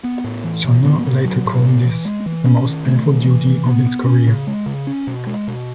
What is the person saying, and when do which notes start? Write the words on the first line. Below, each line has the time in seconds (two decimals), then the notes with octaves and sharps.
Sumner later called this the most painful duty of his career.
0.04 B3
0.24 A2
0.44 E3
0.64 A2
0.85 B3
1.05 A2
1.24 F#3
1.45 A2
1.65 B3
1.85 E3
2.05 G#3
2.26 E3
2.45 C#4
2.66 D#3
2.85 A3
3.06 D#3
3.26 E3
3.47 E3
3.66 B3
3.86 B3
4.06 C#4
4.27 C#3
4.47 G#3
4.66 C#3
4.87 C#4
5.07 B2
5.27 G#3
5.48 B2